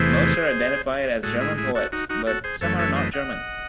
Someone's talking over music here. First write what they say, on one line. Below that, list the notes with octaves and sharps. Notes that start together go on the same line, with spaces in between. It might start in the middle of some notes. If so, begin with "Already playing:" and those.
Most are identified as "German poets", but some are not German.
Already playing: E2 C3 E3 A3 G#4 C5
A2 G#3 F#4 A4
E4 G#4
E4 G#4
F#4 A4
D#4 F#4
D#4 F#4
F#4 A4
G#4 C5
F#2 E3 A3 A4 C#5
A4 C#5
C5 D#5
D#5 F#5